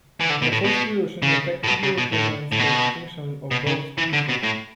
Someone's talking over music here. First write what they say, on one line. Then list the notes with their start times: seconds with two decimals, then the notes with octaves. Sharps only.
The first solution effectively represents the extinction of both species.
0.20 E3
0.30 D3
0.42 B2
0.52 A2
0.65 B2
1.22 C#3
1.63 A2
1.67 B2
1.83 C#3
1.98 B2
2.13 A2
2.53 A2
2.60 B2
3.51 B2
3.67 C#3
3.98 E3
4.13 D3
4.29 B2
4.43 A2